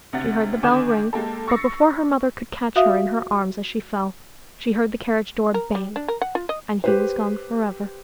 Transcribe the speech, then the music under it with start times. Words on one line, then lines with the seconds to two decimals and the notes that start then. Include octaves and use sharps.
She heard the bell ring, but before her mother could catch her in her arms as she fell, she heard the carriage door bang, and he was gone forever.
0.13 D2 C3 F#5 A6
0.63 D3 D#3 G#5 D6 G6 E7
1.13 G#3 A#3 G4 A4
1.48 C#6 E6 A6 A#6 C7 C#7
2.76 F#4 E5 F5 D#6
5.54 A#4
5.75 G3
5.96 D4
6.08 A#4
6.22 F#5
6.35 F4
6.49 D#5
6.84 G4 B4 C5